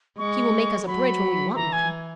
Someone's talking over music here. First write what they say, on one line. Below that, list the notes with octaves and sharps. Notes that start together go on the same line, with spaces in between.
He will make us a bridge when we want one.
G#3 C#6
F#3 B5
E3 A#5
G#5